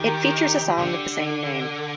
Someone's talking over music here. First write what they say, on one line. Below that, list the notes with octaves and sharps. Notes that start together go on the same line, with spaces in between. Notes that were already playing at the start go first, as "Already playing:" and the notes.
It features a song of the same name.
Already playing: D#3 G4
D3